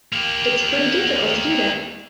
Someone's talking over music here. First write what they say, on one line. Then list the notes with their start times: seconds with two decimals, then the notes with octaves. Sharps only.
It’s pretty difficult to do that.
0.13 A#3 G4